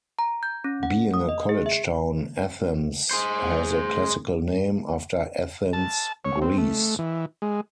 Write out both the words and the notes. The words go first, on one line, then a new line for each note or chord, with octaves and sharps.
Being a college town, Athens has a classical name, after Athens, Greece.
A#5
G6
C#4
F#5
D#6
D#5
G#4
E5
G#4 C5
A5
C#5
C4
A3
E3
G#3